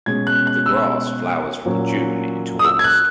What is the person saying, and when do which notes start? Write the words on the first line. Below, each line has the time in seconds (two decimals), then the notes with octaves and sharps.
The grass flowers from June into August.
0.06 B2 G#3 C#4 G#6
0.27 F#6
0.47 F#6
0.66 E6
1.65 A#2 F#3 A#3 C#4
2.59 D#6
2.65 E6
2.79 G#6
2.84 F#6